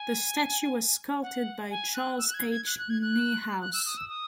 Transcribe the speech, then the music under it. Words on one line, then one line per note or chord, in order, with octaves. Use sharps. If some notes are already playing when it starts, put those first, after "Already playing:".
The statue was sculpted by Charles H. Niehaus.
Already playing: G#5
F#5
G#5
F#6
E6
F#6
G#6
G#6
F#6
F#6
G#6
F#6
F#6
E6
D#6
E6
D#6